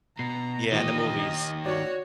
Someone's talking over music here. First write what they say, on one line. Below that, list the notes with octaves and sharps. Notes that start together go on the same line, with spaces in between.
Yeah, in the movies. Yeah.
B2 A#5 C7
A#2 D#3 E3 G4 D#5
D#4
F#4 C#5 D5